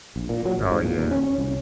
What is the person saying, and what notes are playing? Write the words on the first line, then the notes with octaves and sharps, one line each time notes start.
Oh yeah.
A#1
A#2
F#3
G#1
G#2
A#2
D#2
C#4
C#4
C2